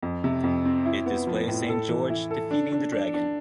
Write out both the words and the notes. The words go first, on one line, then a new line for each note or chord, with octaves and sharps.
It displays Saint George defeating the Dragon.
F2
C3
F2
C4
E4
B3
F3
A2
A4
E3
E4
A4
D4
D4
D4
D4